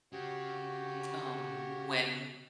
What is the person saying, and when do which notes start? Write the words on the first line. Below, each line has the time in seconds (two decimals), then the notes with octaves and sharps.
um, when
0.12 C#3 F#4 G4 C#5